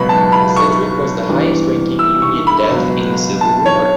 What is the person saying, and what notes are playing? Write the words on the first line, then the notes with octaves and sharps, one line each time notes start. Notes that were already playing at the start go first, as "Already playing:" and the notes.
Sedgwick was the highest-ranking Union death in the Civil War.
Already playing: C#2 B2 F#3 B3 B5
A5
B5
C#6
G2 E3 G3 B3
E6
C#6
B5
C#2 B2 F#3 B3
A5
C#5